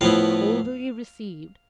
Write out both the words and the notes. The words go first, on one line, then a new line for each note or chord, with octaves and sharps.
Coldly received.
A2 F3 B3 E4 F5